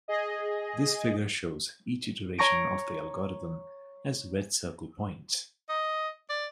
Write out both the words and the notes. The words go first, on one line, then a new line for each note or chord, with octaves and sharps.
This figure shows each iteration of the algorithm as red circle points.
G#4 D#5
C#5 A#5 C#6 A#6 D7
D#5
D5